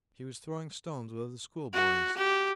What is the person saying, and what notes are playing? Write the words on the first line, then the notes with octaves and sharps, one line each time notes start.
He was throwing stones with other schoolboys.
F#4
G4